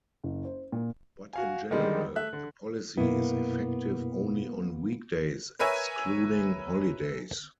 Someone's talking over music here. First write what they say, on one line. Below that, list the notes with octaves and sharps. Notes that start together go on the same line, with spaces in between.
But in general, the policy is effective only on weekdays, excluding holidays.
F#1
C5
A#2
F#4 F5 G#5
D3 D#3 G3 G#3 D#4
A3 E5 F#6
D3
F#2 B2 A#3 B3 E4
A#4 B4 C#5 E5 G#5